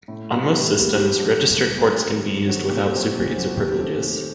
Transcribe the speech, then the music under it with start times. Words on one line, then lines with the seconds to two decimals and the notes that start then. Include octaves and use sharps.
On most systems, registered ports can be used without superuser privileges.
0.08 A2
0.30 G3 A#3
0.52 A2
0.74 G3 A#3
0.95 G2 G4
1.17 F#3 A3
1.39 G2
1.60 F#3 A3
1.82 G2
2.05 D#3 F#3 C4
2.27 G2
2.48 D#3 F#3 C4
2.69 A#2 G4
2.92 F#3 C4
3.14 A#2
3.35 F#3 C4
3.57 D#2 G4
3.78 D#3 A3 C4
4.00 D#2